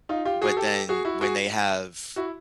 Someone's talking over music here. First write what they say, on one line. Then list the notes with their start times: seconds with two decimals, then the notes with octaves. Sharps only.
but then, when they have
0.09 D#4 F4
0.25 F4 G4
0.42 F#4 G#4
0.57 G4 A4
0.89 F#4 G#4
1.05 E4 F#4
1.21 F#4 G#4
2.16 E4 F#4